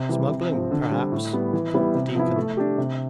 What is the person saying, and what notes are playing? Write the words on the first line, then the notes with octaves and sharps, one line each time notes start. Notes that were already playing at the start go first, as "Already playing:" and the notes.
"Smuggling, perhaps," thought the deacon.
Already playing: C3
E3 G3
C3
F3 C4
D3
G3 C4
A2
G3 B3
E3
G3 B3 E4
C3
F3 B3 E4
A3
D4 G4
C3